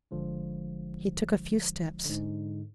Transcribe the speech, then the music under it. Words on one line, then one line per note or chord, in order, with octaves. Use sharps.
He took a few steps.
G1 D3 F3 G#3
G#2 D3